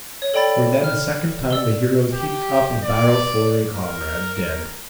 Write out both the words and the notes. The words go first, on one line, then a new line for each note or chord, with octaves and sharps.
For then a second time the heroes heaped up a barrow for a comrade dead.
C#5
A4 D5 G5 B5 A6
F6
D5 E6 G7
G4
D5
A#4